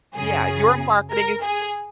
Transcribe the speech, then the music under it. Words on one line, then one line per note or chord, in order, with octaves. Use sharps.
Yeah, your marketing is,
F#2 C#3 G#4
A#4
G#4